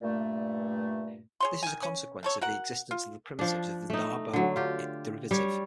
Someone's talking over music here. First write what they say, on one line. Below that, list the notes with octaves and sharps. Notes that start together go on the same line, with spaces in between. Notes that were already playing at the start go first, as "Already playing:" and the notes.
This is a consequence of the existence of primitives of the Darboux derivative.
G2 A#2 A3
G#4 C#5 C6
D#3 G#5
C#4
D#3 A4 C#5
F#4 A#4 F#5
F4
F3 D4
A3 D#4
D3 F#3
F4 G4
G3 C#5